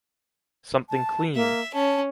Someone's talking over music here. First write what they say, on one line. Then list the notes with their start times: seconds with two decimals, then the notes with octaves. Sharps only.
Something clean!
0.90 A5
1.35 A#3 E5
1.74 C#4 A5